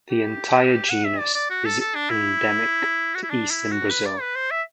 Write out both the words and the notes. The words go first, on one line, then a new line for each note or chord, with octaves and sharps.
The entire genus is endemic to eastern Brazil.
G4
F#5
E5
D5
D5
F#4
A4
A4
D4
E4
F#4
E4
D4
E4
F#4
B4
D5
B4
C5
E5